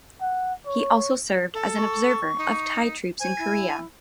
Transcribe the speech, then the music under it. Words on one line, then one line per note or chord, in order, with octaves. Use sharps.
He also served as an observer of Thai troops in Korea.
F#5
C#5
A4
C#6
D#4
C5 G#5
E4